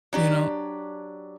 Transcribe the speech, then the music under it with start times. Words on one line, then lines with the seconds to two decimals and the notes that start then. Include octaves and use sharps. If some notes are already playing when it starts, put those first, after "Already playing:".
You know
0.13 F#3 D4 G4